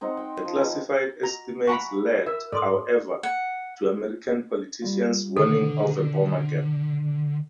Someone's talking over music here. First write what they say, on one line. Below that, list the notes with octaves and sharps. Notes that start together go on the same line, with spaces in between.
The classified estimates led, however, to American politicians warning of a "bomber gap".
C4 D#4 C5 F#5
G5
F3
D#4 B4
F#4 A#5
F5 F#5 G#5 A#5 B5 C#6
A#4 E5
G#2 A4 D5 C6 D#6
F#5
G3 F4
B2 D3 D#3 A4